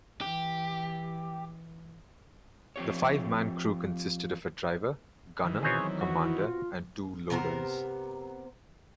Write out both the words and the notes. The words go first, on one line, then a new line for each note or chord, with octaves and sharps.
The five-man crew consisted of a driver, gunner, commander and two loaders.
E3 G4
F3 C4 G4 C#5
D#3 E3
B2 B3 C4 G#4 C#5
F#3
F#4
E4
F4
C3 B3 A#4 C5